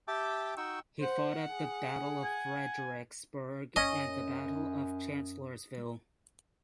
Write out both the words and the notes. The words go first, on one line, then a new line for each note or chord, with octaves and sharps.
He fought at the Battle of Fredericksburg and the Battle of Chancellorsville.
G4 E5 G5 A5 D6
D#4 F#4 G5 C#6 E6
C5 F#5
G#4
G#5
F#2 C#4 D#5